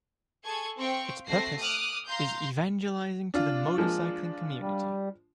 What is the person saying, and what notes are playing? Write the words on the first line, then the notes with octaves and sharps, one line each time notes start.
Its purpose is evangelizing to the motorcycling community.
G#4 A4 C#6 G#6
C4 F5 G5 C#6
A3 C4 F#4 A#6 C7
D6 D#6 F6 F#6
F5 A#5 C6 G6
D4 F4
F3 G#3 A#3
G3